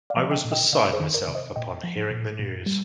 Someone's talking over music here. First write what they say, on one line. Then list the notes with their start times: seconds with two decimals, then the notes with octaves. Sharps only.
I was beside myself upon hearing the news.
0.10 D5 F5
0.17 F3
0.31 D#5 G5
0.45 A#2
0.52 D#5 G5
0.73 C3 D5 F5
0.93 G#4 C5
1.00 D#3
1.14 A#4 D5
1.28 C3
1.35 C5 D#5
1.56 A#2 D#5 G5
1.83 F3
2.11 A#2
2.39 A#2
2.66 G3